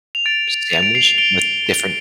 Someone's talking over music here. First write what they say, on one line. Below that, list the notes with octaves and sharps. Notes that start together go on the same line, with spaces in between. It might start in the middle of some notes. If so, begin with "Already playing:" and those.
s sandwich with different
F7
A6 D7
F7
D7
C7 F7
D7 G7